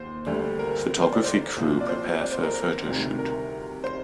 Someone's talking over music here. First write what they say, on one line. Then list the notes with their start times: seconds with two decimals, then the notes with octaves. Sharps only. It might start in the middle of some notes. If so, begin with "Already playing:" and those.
Photography crew prepare for a photo shoot.
Already playing: D#2 C5
0.26 D2 D3 G3
0.59 A#4
1.02 C5
1.13 D5
1.24 C5
1.57 C2 A#2 F3
1.81 D5
1.89 C5
2.21 D5
2.32 C5
2.43 A#4
2.54 A#4
2.86 D2 C3 D#3 G3
3.19 A#4
3.84 C5